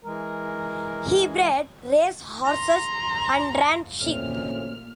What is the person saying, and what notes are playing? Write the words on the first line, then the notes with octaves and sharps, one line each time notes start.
He bred racehorses and ran sheep.
E3 G#3 A#4
A#5 C6
A1 D2 A#2 C4 C#4 F6